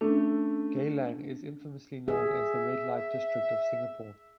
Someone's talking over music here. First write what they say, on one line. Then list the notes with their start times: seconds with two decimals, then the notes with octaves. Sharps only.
Geylang is infamously known as the red-light district of Singapore.
0.01 A3 C#4 D4
2.08 G#4 E5